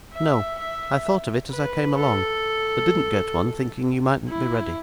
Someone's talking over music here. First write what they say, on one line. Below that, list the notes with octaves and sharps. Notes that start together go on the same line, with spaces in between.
'No; I thought of it as I came along; but didn't get one, thinking you mightn't be ready.
E5
E5
B4
A4
E4